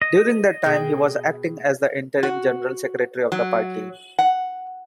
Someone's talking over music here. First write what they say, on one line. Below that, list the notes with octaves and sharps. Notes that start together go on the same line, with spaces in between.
During that time he was acting as the Interim General Secretary of the Party.
D#5
B2 G#4 G5
F#4
F#3
F#5